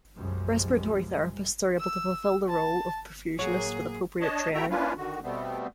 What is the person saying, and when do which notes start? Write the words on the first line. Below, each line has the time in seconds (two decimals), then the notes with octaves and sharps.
Respiratory Therapists are able to fulfill the role of Perfusionist with appropriate training.
0.16 B1 F#2 C#3 F3 G3 G#3
1.78 E6
2.48 A5
3.39 A2 F#3 A#3 F#4 G#4 C#5
4.21 D4 C#5 D#5 A5
4.54 E4 F#4 A4 E5 G5 A#5
4.70 A#3 C#4 D4 E4 F4 B4
4.97 D3 D#3 F#4
5.23 B2 G3 A3 B3 C4